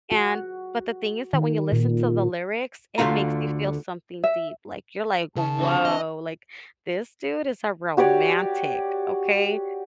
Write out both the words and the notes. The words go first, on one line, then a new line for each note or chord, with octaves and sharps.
and but the thing is that when you listen to the lyrics, it makes you feel something deep. Like, you're like, "Woah. Like, this dude is a romantic, okay?"
F#4
D#3
A#2
D2 D3 A3 E4 F4 A#5
E5
C#3 A5
D3 C4 F#4
D#5
F#4 G4 C#5 D5